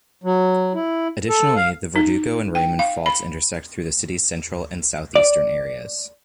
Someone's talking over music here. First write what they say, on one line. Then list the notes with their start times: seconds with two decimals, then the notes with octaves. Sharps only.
Additionally, the Verdugo and Raymond faults intersect through the city's central and southeastern areas.
0.24 F#3
0.74 E4
1.29 A4
1.56 F5
1.96 D#4
2.55 G5
2.79 F5
3.06 B5
5.16 D5